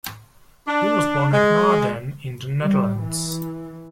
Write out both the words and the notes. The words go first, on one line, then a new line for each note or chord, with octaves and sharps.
He was born at Naarden in the Netherlands.
D4
G#3
G3
E3